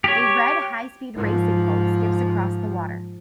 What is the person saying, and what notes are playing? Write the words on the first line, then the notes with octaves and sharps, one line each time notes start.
A red high speed racing boat skips across the water.
G4 C#5
G#2 F3